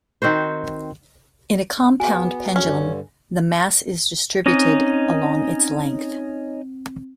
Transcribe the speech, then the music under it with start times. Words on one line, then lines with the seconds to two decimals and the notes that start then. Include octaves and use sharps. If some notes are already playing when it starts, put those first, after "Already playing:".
In a compound pendulum, the mass is distributed along its length.
0.22 D#3 C4 F#4 C5
2.00 B3 F#4 G#4 G#5
2.56 G2 D3 C#4
4.46 C4 C#4 D#4 D#5